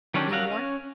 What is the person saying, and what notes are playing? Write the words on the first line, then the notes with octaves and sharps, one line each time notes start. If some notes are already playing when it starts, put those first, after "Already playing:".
"Any more?"
D#3 F#3 C#4 D4 G4
F#3 A#4 F5 F#5
C#4